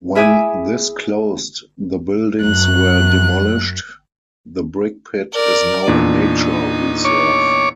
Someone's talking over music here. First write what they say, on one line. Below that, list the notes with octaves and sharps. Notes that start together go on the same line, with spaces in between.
When this closed the buildings were demolished; the brickpit is now a nature reserve.
E4 G#4 E5 G#5 D6 D#6
F#2 F#6
A#4 D5
E2 A#2 D4 D#4
C#5 D6